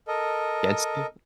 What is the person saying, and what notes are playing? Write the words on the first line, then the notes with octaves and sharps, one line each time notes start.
Against you?
A4 A#4 D#5